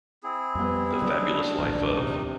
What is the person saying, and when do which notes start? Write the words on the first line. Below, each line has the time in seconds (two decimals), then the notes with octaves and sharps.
The Fabulous Life of...
0.23 C4 E4 G#4
0.55 F2 G3 B3
1.02 C#3 F#3 A#3 D4
1.59 D1 A#1 E2 G#2 A#4
1.95 C3 D#4